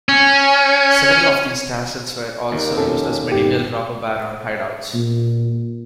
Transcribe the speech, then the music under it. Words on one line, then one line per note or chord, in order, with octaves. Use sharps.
Several of these castles were also used as medieval robber baron hideouts.
C#4
D#2 A#4
F2 C#4 A4
G#2 G4
A#2